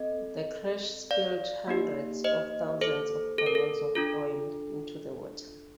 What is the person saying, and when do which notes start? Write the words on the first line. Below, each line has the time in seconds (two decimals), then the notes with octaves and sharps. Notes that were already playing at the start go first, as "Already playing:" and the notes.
The crash spilled hundreds of thousands of gallons of oil into the water.
Already playing: C4 A4 D#5
1.11 D5 F5
1.68 A#3 D#4 G4
2.24 C5 D#5
2.81 A4 C5
3.38 A4
3.46 A#4
3.55 A4
3.95 D4 F4 A4